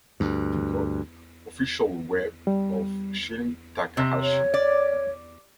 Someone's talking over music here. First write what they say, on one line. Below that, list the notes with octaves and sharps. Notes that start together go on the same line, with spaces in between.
Official web of Shin Takahashi.
D2 G2
G3
C3
C#5
D5